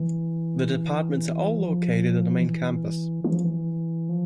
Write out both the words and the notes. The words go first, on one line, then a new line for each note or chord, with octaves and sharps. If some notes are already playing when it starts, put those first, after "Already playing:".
The departments are all located on the main campus.
Already playing: E3
F3
E3
E3
F3
E3
F3